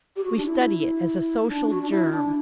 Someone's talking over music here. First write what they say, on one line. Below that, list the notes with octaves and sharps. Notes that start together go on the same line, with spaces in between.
"We study it as a Social Germ."
G4
F#4
D4
E4
E4
D4
F#4
D4
E4
D4